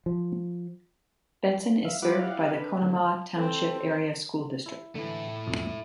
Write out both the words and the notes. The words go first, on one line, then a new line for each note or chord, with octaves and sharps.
Benson is served by the Conemaugh Township Area School District.
F3
E5 F5
G3 E4 F4 B4 F#5 D6
E4 G4 D5 F5 F#5
D4 B4
D3 A3
C4 A4
E4
D3 E3 A3 E4
B1 F2